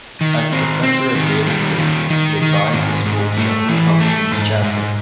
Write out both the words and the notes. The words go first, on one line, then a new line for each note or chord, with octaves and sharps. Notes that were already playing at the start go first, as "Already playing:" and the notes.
As a professor at Davidson, he advised the school's Young Republicans chapter.
D#3
C4
C4
D#3
G3
D#3
D#3
D#3
G#2
G#2
A3
E3
A3
G#2
G#2